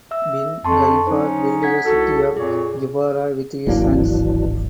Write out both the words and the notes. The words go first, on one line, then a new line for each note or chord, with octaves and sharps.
Bin Khalifa built the city of Zubarah with his sons.
E5 E6
F2 A5 C6 C#6
F#3 C#4 D#4 C5
F#5 G#6 B6
C2 F#4 A4
F2 A#2 G#4 C#5
D1 G#1 E3 F#3 A#3 D4